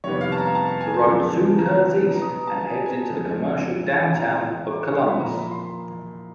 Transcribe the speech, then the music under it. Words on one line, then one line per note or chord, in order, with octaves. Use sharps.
The road soon curves east and heads into the commercial downtown of Columbus.
F2 C3 D#3 G3 B3 C#5
F5
A5
A#5
A5
A5
G#5
A5
F#2 C#3 F3 G#3 B3
A#5
B2 F#3 B3 A#5
D#6
A#5
A5
G#5
G#5
F2 C#3 F3 G#3 C4
A2 E3 G#3 C4 A#5
D6
C#6
C6
B5
A#2 F3 A#3 A#5
B5
C6